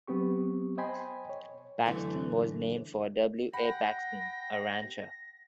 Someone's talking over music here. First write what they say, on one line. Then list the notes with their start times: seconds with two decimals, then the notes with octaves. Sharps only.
Paxton was named for W. A. Paxton, a rancher.
0.07 F#3 B3 C4 G4 C#6
0.77 C5 D#5 G5 G#5 B5 C6
1.29 C#5
1.86 F#2 D3 E3 A3
3.53 F#5 G5 B5 A#6